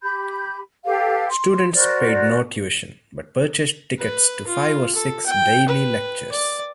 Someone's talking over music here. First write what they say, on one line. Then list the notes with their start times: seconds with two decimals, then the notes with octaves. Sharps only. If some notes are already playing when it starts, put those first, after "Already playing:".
Students paid no tuition, but purchased tickets to five or six daily lectures.
0.01 G4 B5 G6
0.85 G4 A4 B4 F5
1.29 C6
1.73 F#4 A#4 C5 D5
3.99 B4
4.47 F4
4.95 A4
5.26 G5
5.69 B4
6.32 D5